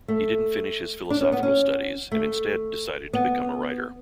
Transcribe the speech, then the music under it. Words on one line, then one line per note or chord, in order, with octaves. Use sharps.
He didn't finish his philosophical studies and instead decided to become a writer.
A3
D4
C#4
B3
C#4
A3
B3